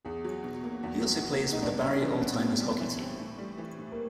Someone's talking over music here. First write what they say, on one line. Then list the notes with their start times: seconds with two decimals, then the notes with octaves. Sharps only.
He also plays with the Barrie Oldtimers Hockey Team.
0.05 E2 G#4
0.24 F#3
0.44 B2
0.64 A#3
0.83 E2
1.03 F#3
1.23 B2
1.42 A#3
1.53 D#4
1.62 G2 D4
1.81 G3 C#4
2.02 E3
2.21 B3 C4
2.41 G2
2.60 G3
2.80 E3
3.00 C4
3.19 A2
3.38 G3
3.58 E3
3.78 A2
3.92 A#3